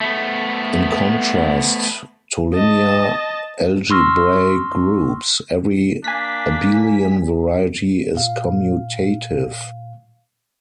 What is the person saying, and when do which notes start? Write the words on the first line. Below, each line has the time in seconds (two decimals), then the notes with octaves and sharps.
In contrast to linear algebraic groups, every abelian variety is commutative.
0.01 A3 B3
2.54 D#5 A5
3.91 C6 C#6 E6 F6 A#6
6.04 A#3 D4 G#5 B6
8.15 A#2 F5